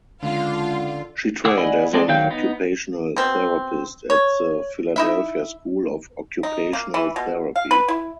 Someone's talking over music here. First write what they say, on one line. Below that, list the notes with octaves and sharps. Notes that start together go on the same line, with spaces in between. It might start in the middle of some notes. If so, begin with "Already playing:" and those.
She trained as an occupational therapist at the Philadelphia School of Occupational Therapy.
C#2 D3 F4 F5
G#4 F#5 D6 E6
D5 D#5 F#5 G#5 B5
G#3 C4 G#4 A4 D5
D#3 F#3 F5 G5 G6
B3 D#4
B2 C4
C#5
D#4 E4 E5
D#4
A#3
E3
B2
F5
B4
E4